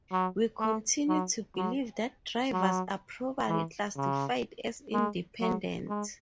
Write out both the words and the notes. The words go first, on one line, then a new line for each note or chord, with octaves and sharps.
We continue to believe that drivers are properly classified as independent.
F#3
A3
F#3
F#3
F#3
E3
C#3
G#3
F#3
G#3